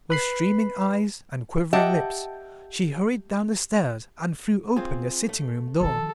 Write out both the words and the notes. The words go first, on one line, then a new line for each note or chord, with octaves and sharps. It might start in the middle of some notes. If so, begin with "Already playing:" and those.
With streaming eyes and quivering lips she hurried down the stairs and threw open the sitting-room door.
B4 B5 C7
G4 D#5 E5 F#5 A5
C4 F4 G#4
A3
D#3 F3 A4